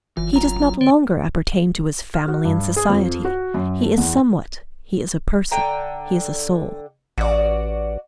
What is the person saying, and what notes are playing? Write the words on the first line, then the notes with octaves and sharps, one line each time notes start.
He does not longer appertain to his family and society; he is somewhat; he is a person; he is a soul.
F#1 E3 F4
F#2 A#5
D3 C4 C#5
F6
F#4
G2
G#4
F2
F#4
F#2
A3
E2
D3 G5 A#5
A1 F#4 D5